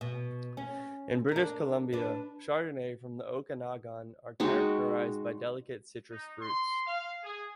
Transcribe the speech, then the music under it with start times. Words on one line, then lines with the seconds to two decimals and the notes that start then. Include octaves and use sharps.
In British Columbia, Chardonnay from the Okanagan are characterized by delicate citrus fruits.
0.01 B2
0.57 C#4
1.32 D4 A#4
1.93 D4 B4
4.40 G#3 D#4 F#4 G5
6.11 D#4
6.41 C6
6.87 F5
7.23 G#4